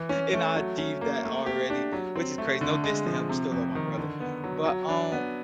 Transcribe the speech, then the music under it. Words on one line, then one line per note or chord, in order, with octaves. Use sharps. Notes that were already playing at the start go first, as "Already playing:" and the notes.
and I achieved that already, which is crazy. No diss to him, still love my brother. But, um,
Already playing: E3
C#4
A3
F#3
C#4
A#3
A3
G4
D4
F#3
C4
A3
D3
G#3
F3
C3
F2
D#3
D3
B3
F#3
F#3
D4
B3